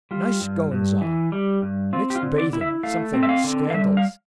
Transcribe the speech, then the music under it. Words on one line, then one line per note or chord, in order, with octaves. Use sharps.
Nice goings on! Mixed bathing--something scandalous.
G3 F4
G2
G2
E3
G3
G2
C4 F4
G4
F4
D3
D5
E4
E5
A3 F5
C4
E5
F5
D3
F5
G3 E5
F5